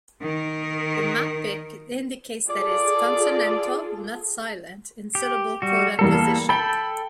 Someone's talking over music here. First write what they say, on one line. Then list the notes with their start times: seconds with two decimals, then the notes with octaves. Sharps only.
The "mappiq" indicates that is consonantal, not silent, in syllable-coda position.
0.22 D#3 A#4
2.48 F4 G#4 A4 D5
5.15 G4
5.62 G3 F#4
5.99 E2 G3 A#3 A4 A#4
6.49 A4 G5 B5